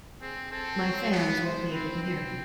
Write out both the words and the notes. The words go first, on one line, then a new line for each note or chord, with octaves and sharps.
My fans won't be able to hear me.
C4 G#4
C4 A4
C#5
B3
C5
C4 B4
C4